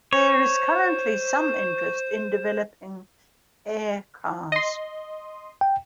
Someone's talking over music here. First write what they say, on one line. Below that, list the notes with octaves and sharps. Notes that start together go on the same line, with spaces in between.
There is currently some interest in developing air cars.
C5 C#5
D#5 C6
G5